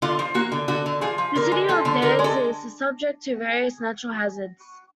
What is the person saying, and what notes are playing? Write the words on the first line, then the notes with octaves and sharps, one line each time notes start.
The city of Thiers is subject to various natural hazards.
D3 F4
F3
A#3 F#4
D3
D3 F#4
D3
F3 G#4
F3
D3 A#4
G#3
F3 A4
D3
D3 A#4
G#3
A4